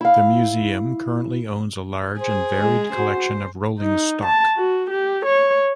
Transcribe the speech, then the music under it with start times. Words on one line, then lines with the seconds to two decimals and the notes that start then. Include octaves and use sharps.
The museum currently owns a large and varied collection of rolling stock.
0.01 E4 F5
2.19 G#4 C5
2.58 G#3
2.94 F#4 C5
3.80 D#4
4.25 A5
4.57 F#4
4.90 G4
5.26 C#5